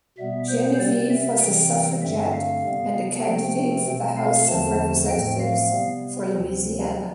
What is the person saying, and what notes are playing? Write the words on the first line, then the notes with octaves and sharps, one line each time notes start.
Genevieve was a suffragette and a candidate for the House of Representatives for Louisiana.
B2 G3 B3 E5
C5
C3 G3 C4 D5
E5
C3 E3 G3 C4 G5
G2 D3 A3 C4 E5
F5
C3 G3 B3
C3 F3 A3 C4 G5
B2 A3 C4
F5
E2 D3 F3 A3 C4 A5
A2 F3 A3 C4 G5
F5
C3 G3 B3
D2 C3 F3 C4